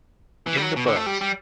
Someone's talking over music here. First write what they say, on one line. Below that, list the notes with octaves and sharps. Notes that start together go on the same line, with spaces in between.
In the Buzz!
E3
G3
F#3
B2
D3
A3
G3
G3